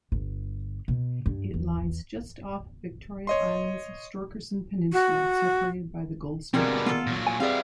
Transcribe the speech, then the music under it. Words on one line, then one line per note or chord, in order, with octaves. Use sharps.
It lies just off Victoria Island's Storkerson Peninsula, separated by the Goldsmith Channel.
G1
B2
G2
E2
C#5 D#5 C6
F#4
B2 D3 G3 G#3 A#3 C4
B3 F4 A4
A#2 F#3
G#5
G3 B3 C4 E4 G#4 D5 F5 A#5